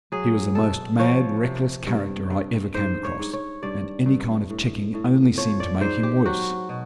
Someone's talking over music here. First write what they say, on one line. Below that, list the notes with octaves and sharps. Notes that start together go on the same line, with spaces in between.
He was the most mad, reckless character I ever came across, and any kind of checking only seemed to make him worse.
F#3 G#4
B2 A4
F3 C#5
C3
G2
G2
G#2 C5
C#5
G#2
C#5
G2 D5
G2
A2
A2
F3 C#5
D5
G#2 C5
G4
F#3 F#4
B2